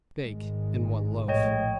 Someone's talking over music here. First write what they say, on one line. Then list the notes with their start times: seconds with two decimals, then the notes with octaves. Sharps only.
Bake in one loaf.
0.20 G#1 G#3
1.28 A#1 A2 C#5 D#5 G5